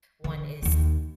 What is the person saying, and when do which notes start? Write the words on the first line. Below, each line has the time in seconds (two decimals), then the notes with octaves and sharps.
one is
0.24 D3
0.62 D#2 D#4